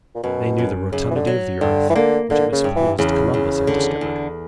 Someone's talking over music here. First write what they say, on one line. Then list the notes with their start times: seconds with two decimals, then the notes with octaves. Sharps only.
They knew the rotundity of the earth, which it was supposed Columbus had discovered!
0.15 A#2
0.23 F#2 B2
0.58 F#2
0.92 F#2 C#3
1.11 E3
1.16 D3
1.27 F#3
1.61 G2 D3
1.90 E3
1.95 D3 A#3
2.30 D3 A#3
2.52 C#3
2.64 G2
2.76 E3
2.99 E2 C#3
3.34 E2
3.67 D3
4.01 E2